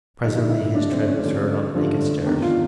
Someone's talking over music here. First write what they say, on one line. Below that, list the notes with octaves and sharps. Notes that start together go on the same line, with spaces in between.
Presently his tread was heard on the naked stairs.
G2 D3 F3 A3 D#4
E4
E4
G2 D3 F3 A3 D4
C4
C#4
G2 D3 F3 A3
G2 D3 F3 A3
E2 C3 D#3 D4
F4